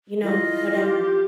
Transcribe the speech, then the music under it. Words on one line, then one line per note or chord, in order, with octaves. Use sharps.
you know, whatever.
E3 F4 D#5
G4